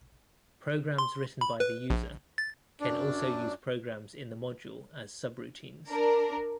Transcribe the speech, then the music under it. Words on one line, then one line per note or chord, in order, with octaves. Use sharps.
Programs written by the user can also use programs in the module as subroutines.
C6
B5
B4
A#1
A6
F#2 D4
D4 A#4